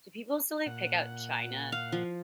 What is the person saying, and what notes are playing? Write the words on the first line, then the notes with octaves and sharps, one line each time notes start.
do people still, like, pick out china?
A#2 F#5
F5
F3